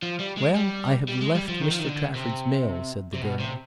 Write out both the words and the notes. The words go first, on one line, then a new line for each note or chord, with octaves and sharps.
"Well, I have left Mr Trafford's mill," said the girl.
F3
G3
G#3
G3
G3
G#3
G3
F3
D#3
F3
D#3
D3
C3
C3
B2
C3